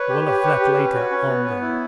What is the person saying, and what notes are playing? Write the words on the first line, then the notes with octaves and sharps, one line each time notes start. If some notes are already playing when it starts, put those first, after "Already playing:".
Well, of that later on, though.
Already playing: B4 C#5
G4
G4
G4
G4
C#4
F#4
C#4
B3
B3
E4